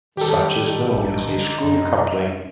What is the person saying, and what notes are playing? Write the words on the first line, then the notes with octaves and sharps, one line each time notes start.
Such is known as a 'screw coupling'.
D#3 G3 G4 A4
A1 D#4
D3
F#2